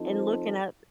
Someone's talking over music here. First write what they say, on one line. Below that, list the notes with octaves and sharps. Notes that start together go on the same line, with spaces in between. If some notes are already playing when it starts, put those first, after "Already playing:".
and looking at
Already playing: F3 C4 D#4 A4 C5